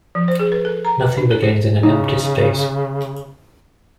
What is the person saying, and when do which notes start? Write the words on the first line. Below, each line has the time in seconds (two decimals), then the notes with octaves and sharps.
Nothing begins in an empty space.
0.15 F3
0.28 C5
0.39 G#4
0.52 B4
0.65 A4
0.85 A#5
1.01 B4
1.17 D4
1.31 A4
1.43 C5
1.83 C#3 D#4